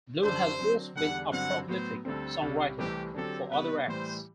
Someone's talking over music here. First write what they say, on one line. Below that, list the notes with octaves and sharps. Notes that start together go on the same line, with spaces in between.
Blue has also been a prolific songwriter for other acts.
F#2 D3 G3 D4 C5
D3 F#3 C4
E2 D3 G3 F#5
G2 D3 F#3 C4 F#5
A2 F#3 B3 C5
D2 D3 G3 C4 A4
C2 C3 G3
C2 C3 E3 A3 C4 G4
D3 F#3 C4 G4 A4
C3 G3 B3 B4
A2 E3 G3 C5